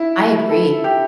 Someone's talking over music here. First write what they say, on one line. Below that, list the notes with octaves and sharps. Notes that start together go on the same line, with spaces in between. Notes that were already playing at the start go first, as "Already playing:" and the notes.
I agree.
Already playing: E4
A4
G4